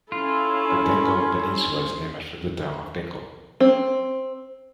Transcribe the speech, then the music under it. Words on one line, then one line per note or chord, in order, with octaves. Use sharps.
The Dingle Peninsula is named after the town of Dingle.
C#4 E4 F4 A4
C4